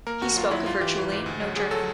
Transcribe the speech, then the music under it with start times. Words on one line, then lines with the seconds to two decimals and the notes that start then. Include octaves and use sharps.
He spoke virtually no German.
0.07 A#3 A#4
0.21 D#2 F#4
0.36 F#3 F4
0.51 F#3 E4
0.66 G#2 F4
0.81 E3 G4
0.97 E3
1.12 G#2
1.26 D2
1.41 F#3
1.56 D2 G#4
1.71 F#3 A4